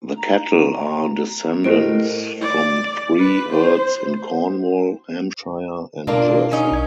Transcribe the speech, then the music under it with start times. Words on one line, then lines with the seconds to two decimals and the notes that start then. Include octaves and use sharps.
The cattle are descendants from three herds in Cornwall, Hampshire and Jersey.
0.17 A#5
1.64 A2 G4 A#4 C5 D#5 D7
2.41 D5
3.20 B4
3.52 C5
6.07 B2 A#3 D4 F4 A#4
6.51 C#4 D#4
6.72 B1 D4 G#6